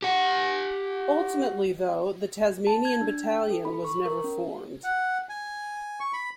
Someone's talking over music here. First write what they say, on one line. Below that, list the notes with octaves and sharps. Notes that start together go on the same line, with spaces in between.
Ultimately though the Tasmanian battalion was never formed.
G4 F#5
A5
G#6
D4
G5
A4
B5
C#6
A#4
C#4
F#5
G#5
C#6
B5